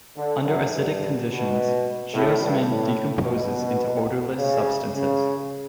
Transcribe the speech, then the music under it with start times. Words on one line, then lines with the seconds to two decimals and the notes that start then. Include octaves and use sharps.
Under acidic conditions, geosmin decomposes into odorless substances.
0.17 D3
0.46 F#2
0.73 G2
1.30 B2
2.14 A2
2.42 G2
2.70 A2
3.26 B2
4.39 C#3
4.95 C#3